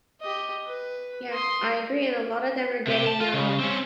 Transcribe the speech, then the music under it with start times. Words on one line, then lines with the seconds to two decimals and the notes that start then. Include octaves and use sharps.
Yeah, I agree, and a lotta them are getting, um,
0.21 G4 D#5
0.67 B4
1.33 C6 D#6
2.87 C3 G4
3.07 A5
3.20 F4
3.33 C#3
3.60 C4 C#4